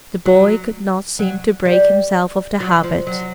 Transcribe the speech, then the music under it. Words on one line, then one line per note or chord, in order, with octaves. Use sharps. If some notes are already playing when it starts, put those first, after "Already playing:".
The boy could not seem to break himself of the habit.
F#3
F#3
G3
F#3
F3
F#3